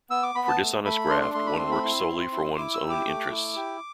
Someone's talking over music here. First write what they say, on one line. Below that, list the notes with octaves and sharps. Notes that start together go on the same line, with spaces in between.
For dishonest graft, one works solely for one's own interests.
B3 E6
D6
B3 B5
A5
A3
A3 B5
D4 C6
C6
A3 C6
B5
C4 C6
B5
E4 C6
C4
E4
E4 D6
E6
G4
D6
A3
E4
G4